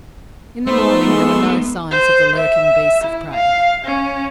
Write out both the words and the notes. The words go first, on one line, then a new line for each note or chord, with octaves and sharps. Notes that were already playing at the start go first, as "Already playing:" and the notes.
In the morning there were no signs of the lurking beasts of prey.
A3 B3 D#4 C5 E5 C6 E6
G#3
C5
E5
E4
F5
C#4